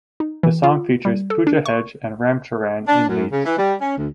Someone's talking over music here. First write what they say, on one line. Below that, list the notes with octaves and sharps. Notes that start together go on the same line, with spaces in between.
The song features Pooja Hegde and Ram Charan in leads.
D#4
E3
F4
G3
A4
D4
C#6
D4
F#2
C#3
E3
G3
C#4
D2